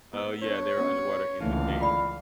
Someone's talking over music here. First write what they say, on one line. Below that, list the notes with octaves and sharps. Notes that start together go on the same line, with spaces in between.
Oh, yeah. They were underwater in the cave.
B3 E4 E6
B3 D4 C#5
B3 C#4 F#4
C#2 D3 E3 A3 A#3 D#4 E5 F5
F4 D5 B5